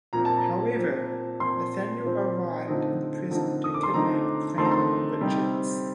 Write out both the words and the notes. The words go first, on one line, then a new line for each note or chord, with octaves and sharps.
However, Nathaniel arrived in the present to kidnap Franklin Richards.
A#2 F3 C4 A#5
A5
A#5
A#2 F3 C4
A#2 F3 C4 C6
A#2 F3 C4
D3 F3 A3 C4 D#4
D3 F3 A3 C4 D#4
D#6
D6
C6
D3 F3 A3 C4 D#4 A#5
D3 F3 A3 C4 D#4 C6
A#5
C6
C3 G3 C4 D#4